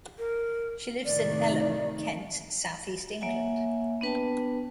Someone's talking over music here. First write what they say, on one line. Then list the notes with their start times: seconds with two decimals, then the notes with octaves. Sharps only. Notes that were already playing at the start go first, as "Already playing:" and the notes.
She lives in Elham, Kent, South East England.
0.18 A#4
1.05 A2 C3 D#3 D5
3.21 A#3 C#5 E5 F#5 G#5
4.01 B3 D4 B4 G5 A5